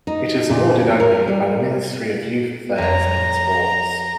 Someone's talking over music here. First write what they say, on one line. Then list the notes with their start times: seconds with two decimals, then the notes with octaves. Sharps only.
It is awarded annually by the Ministry of Youth Affairs and Sports.
0.07 D#4
0.50 A#2
0.80 C4
1.00 A#4
1.27 G3
2.78 F2 C#5 A#5